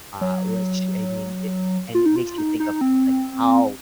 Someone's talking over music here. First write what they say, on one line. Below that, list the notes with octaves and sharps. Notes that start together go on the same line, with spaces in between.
uh, which I mean, it and it makes you think of like, how
F#3
F4
D#4
F4
D#4
D#4
C4